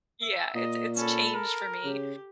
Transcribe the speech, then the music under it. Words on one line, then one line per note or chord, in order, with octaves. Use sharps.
Yeah, it's it's changed for me
E5
A#2 D#5
C#4 A4 B5
A#4
C#3 G4